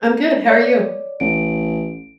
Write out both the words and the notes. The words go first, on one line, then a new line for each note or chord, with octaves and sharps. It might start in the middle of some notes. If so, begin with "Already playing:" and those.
I'm good, how are you?
C#5 D5
A1 D7